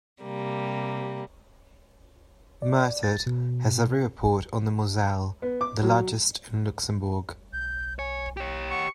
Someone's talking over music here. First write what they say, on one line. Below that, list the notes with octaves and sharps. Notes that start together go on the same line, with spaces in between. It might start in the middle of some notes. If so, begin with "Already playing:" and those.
Mertert has a river port on the Moselle, the largest in Luxembourg.
C3 G3 A#3
D5
A6
B2
B3
D6
F#3
B1 G6
C#5 G#5
G4 C#5 G5
F#5 C#6